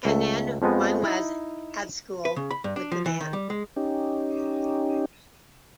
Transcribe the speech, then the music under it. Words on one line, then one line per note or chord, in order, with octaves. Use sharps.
And then one was at school with the man.
C#2 A3 E5
F2 F3 G#3 B3 D#5
D#4 E4
B4
C#3
B5
G2
D4
F3
E3
D#3
G3
G#3
C#4 D#4 G4